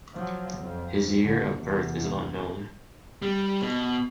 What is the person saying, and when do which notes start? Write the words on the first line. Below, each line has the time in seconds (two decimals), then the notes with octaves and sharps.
His year of birth is unknown.
0.14 F3 F#3
0.58 F2 F3
1.23 B1 D3
1.57 E2 C3
3.22 G3
3.61 B2